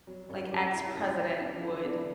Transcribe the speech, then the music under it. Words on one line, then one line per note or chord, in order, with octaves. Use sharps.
like, ex-president would
F#3
F#2 C#5
F#2 G4
F#2 E4
F#2
F#2
F#3 D4
D3 E4
D3 D4
E4